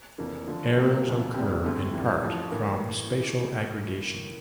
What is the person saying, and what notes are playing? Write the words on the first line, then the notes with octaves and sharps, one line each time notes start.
Errors occur in part from spatial aggregation.
F1 F2 E3 A#3
D3 F3 A3
A#2 G3 C4 G4 A#4
D2 C3 F3
F1 E2 C3 G3 C4
E2 D3 A3 C4
F2 E3 G3
A1 A2 F3
A2 E3 A#3